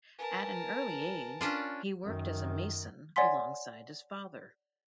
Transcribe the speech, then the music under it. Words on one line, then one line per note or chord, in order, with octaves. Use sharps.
At an early age, he worked as a mason alongside his father.
A#4 B4 G#5 A5
C#4 D4 F4
F#2 D#3
C#5 D5 F#5 G#5 C6 B6